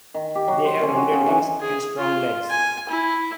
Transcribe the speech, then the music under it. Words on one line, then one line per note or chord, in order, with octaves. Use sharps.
They have rounded wings and strong legs.
D#3
G4
F#3
C5
C#4
F#4
C#3
E3
G#4
F4
G#5
E4